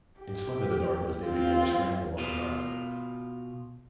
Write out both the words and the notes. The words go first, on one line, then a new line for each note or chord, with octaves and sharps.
In spite of the darkness they began to scramble up the ladder.
G4
C4 F4
B2 F4